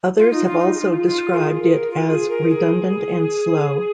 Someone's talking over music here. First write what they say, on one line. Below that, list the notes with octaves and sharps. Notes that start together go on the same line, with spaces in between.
Others have also described it as redundant and slow.
F4
D#4
F4
D#4
G#4
F4
F4
A#4
G#4
A#4
F4
G#4
A#4
G#4